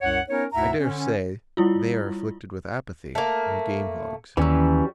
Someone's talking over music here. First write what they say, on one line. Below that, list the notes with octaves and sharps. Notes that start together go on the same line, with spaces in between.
I dare say they are afflicted with apathy, and game-hogs.
C2 F#2 C#5 F#5
B3 C#4 D#4 A#4 C#5
D2 G#2 E4 E5 F#5 A#5
D3 C#4
G3 E4 F4
A3 A#3
D#2 E3 F#3 G3 C#4 E6